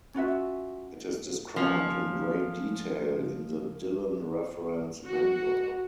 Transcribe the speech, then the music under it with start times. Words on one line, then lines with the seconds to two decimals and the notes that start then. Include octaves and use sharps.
It is described in great detail in the Dylan Reference Manual.
0.14 C#4 F4 F#4 E5
1.56 F3 C#4
5.05 F#4